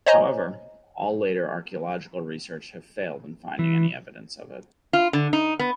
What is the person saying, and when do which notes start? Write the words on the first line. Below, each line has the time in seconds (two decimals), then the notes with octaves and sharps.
However, all later archaeological research have failed in finding any evidence of it.
0.06 C5 C#5 D#5 G#5 A#5
3.59 E3
4.93 F4
5.13 D3
5.33 D#4
5.59 B3